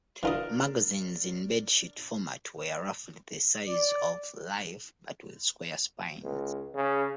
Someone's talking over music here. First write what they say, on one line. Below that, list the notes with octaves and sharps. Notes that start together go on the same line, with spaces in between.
Magazines in bedsheet format were roughly the size of "Life" but with square spines.
E3 D4 F4 A#4 D#5
D5
C#2
C#3